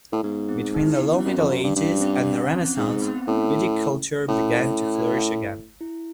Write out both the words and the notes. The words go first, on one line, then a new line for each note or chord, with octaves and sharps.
Between the Low Middle Ages and the Renaissance, viticulture began to flourish again.
A2
G#2 B3
C4
D#4
E4
B3
C#4
C4
F#2 C#4
F2
F#2
G2
G2 C#4
C4
C4
C4
C#4
C4
G#2 C4
C4
B3
C4
A2 C#4
A2 C#4
E4